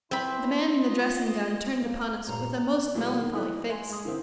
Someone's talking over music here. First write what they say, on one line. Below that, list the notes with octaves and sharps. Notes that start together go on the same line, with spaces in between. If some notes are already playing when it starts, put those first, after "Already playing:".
The man in the dressing-gown turned upon us with a most melancholy face.
C4 E4 B5 C6
A#3 F4 D#5
A#3
G2 A#2 A#5
A#2 E3 F#3 G#3 A3 B3
D#3 A#3
A2 E3 A3 D#5 F#6
E5 G#5 C6
G#3 D#6
D3 E3 A#3 C4 E4